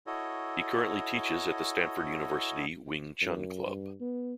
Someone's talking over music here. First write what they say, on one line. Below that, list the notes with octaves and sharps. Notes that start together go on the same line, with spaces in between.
He currently teaches at the Stanford University Wing Chun Club.
E4 F#4 A4 C#5 D#5
F#2
G2
B3